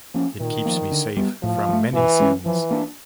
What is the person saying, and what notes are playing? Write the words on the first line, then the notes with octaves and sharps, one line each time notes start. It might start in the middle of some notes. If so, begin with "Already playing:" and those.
It keeps me safe from many sins.
F3 A#3 C#4
A#2 D#3
F3 A#3
D3
G3 B3
A2 F3
F#3
A3
B2 E3
G#3 C#4
E3 F3
A#3 D4